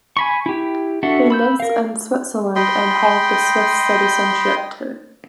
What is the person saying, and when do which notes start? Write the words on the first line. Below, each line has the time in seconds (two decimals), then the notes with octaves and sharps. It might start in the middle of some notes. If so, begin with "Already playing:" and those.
He lives in Switzerland and hold the Swiss citizenship, too.
0.17 G#5 B5 C#6
0.46 E4 G4
1.03 D4 F#4 A4 E5 F#5
1.30 B5 E6 G6
1.60 A#4 F5
2.56 D#5 G5 B5 C6